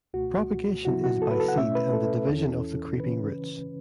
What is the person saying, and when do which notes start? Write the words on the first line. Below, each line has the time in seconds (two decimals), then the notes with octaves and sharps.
Propagation is by seed and the division of the creeping roots.
0.14 C#2 B2 A3 F#4
0.85 C#3 F#3 B3 E4 F#4
1.04 F#4
1.22 A4
1.31 B4
1.40 A4
1.48 F#5
1.57 B2 A3 C#4 E4 E5
1.75 B4
1.93 A4
2.29 E2 E3 C#4 E4
3.00 C#3 E3 C#4 B4